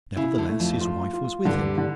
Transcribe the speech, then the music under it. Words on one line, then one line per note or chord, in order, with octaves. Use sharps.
Nevertheless, his wife was with him.
C#3 E4
D2 D3
A3
F2 F3
F4
F4
G2 D3 G3
D3